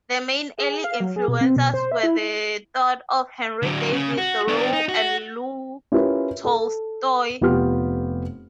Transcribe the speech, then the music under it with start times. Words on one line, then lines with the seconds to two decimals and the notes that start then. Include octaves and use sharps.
The main early influences were the thought of Henry David Thoreau and Leo Tolstoy.
0.58 G#4
0.70 G#4
0.84 F5
1.00 F#3
1.16 G#4
1.28 B2
1.41 C4
1.56 B2
1.74 C5
1.92 E5
2.03 E4
3.62 D3 F#3
3.93 C#3
4.18 F#4
4.48 B3 D4
4.73 D#4
4.89 F#4
5.92 C#4 E4 F4 G4 A#4 B4
6.45 A4
7.41 F1 B3 F4 G4 F6